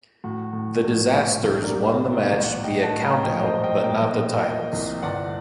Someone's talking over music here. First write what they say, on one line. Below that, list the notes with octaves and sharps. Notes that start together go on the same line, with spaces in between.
The Disasters won the match via count out but not the titles.
A2 F#4
A2
A#1
A2
C2 G4
A#4 D5
A#2
G4
A#2 F#4
G4
C2
D5 F#5
A2 D#5 G5
F#5 A5
A2
G5 A#5
A#1 D#5 G5
C5 D#5
A#1
D#5 G5
A#2 D#5 G5
A#2
A#2 D#5 G5
C2
G1 D5 F#5